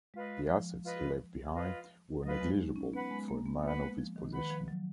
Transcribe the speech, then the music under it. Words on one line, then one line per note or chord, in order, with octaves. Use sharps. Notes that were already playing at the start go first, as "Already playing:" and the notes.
The assets he left behind were negligible for a man of his position.
G#3 F4 B4 D#5
F3
F4 B4 D#5
F4 B4 D#5
F#3 F4 B4 D#5
G#3
D#4
C#4
B3 B4 F#5 B5
G#3
A#3
B3
A#3 B4 F#5 B5
G#3
F3
D#3
D#3 B4 F#5 B5
F3
F#3